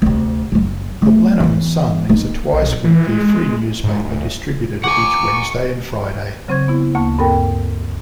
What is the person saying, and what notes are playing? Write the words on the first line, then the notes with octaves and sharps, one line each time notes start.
"The Blenheim Sun" is a twice-weekly free newspaper distributed each Wednesday and Friday.
D2 C3
F#1 F#3
A3 B3
E3 B3
A#3 D#4
B1
E3
G#3
G#2
D2
F#5 G#5 C#6 D6
C#3 F#3 C4 C5 C#6 G#6
B3 E4
D2 A#3 A5 C#6
G2 C4 A4 A#4 G5